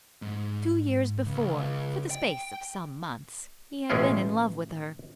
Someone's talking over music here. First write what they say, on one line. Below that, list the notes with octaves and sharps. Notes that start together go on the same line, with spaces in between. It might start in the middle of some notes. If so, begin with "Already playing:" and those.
Two years before, for the space of some months, he had been in love with her.
G#2
C#2
G5
A1 B2 G#3 C#4 E4 F4